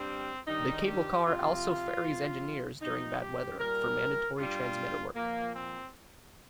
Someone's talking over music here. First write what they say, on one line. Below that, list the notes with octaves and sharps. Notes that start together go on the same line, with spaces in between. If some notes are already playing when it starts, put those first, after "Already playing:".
The cable car also ferries engineers during bad weather, for mandatory transmitter work.
Already playing: G2 G3 C4
G2 D#3 G3 D#4
G4
C3 F3 F4
C3 F3
C3 F3 D#4
G4
A#2 G3 A#4
G2 G3 F4
A#2 F3 A#3
C4